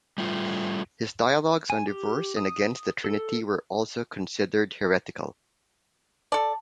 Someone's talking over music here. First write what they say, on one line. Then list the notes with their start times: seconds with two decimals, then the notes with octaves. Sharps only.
His dialogues on divorce and against the Trinity were also considered heretical.
0.18 G3 A3 F4
1.70 G#5
1.88 G4
2.37 D#6
3.04 A4
6.32 A4 D5 A5